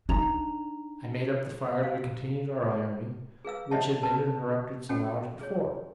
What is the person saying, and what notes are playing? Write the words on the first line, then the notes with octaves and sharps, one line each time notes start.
I made up the fire and we continued our ironing, which had been interrupted some hours before.
D4 D#4 A#5 F7
F5
G#4 B4 F5 E6
C5 C#5 D#5 E5 F#5 A5
A#4 B4 A5
C#4 F#4 A4 G5
G#4 C#5